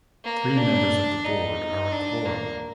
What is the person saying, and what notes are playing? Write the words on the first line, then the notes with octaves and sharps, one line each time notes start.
Three members of the board are a quorum.
A#3
D4
D#4
D4
A#3